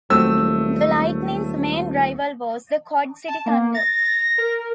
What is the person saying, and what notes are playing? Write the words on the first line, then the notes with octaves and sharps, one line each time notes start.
The Lightning's main rival was the Quad City Thunder.
D#1 F#3 A3 C4 E6
A5
A#3
A6 A#6
A#4